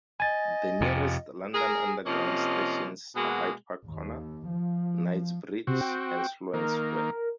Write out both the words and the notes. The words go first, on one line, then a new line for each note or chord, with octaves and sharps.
The nearest London Underground stations are Hyde Park Corner, Knightsbridge and Sloane Square.
D#5 G#5 A6
F2 C3
G#4 A#4
C3 F3 A#3 C#4 D#5
B2 G#3 A#3 B3 F#4 F#5
D#2
F3
C3 C4 F#4
G5
D#3 A#3 A#4